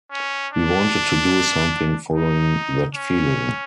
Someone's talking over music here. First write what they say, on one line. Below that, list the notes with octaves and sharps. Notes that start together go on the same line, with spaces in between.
We wanted to do something following that feeling.
C#4
D4
D#4
C#4